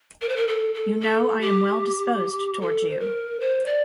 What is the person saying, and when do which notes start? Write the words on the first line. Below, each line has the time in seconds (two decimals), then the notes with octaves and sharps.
You know I am well-disposed towards you.
0.21 A#4
0.29 C5
0.36 A#4
0.47 A4
0.74 A4
1.01 A4
1.41 G4
2.61 A4
2.90 C5
3.00 A#4
3.40 C5
3.66 D5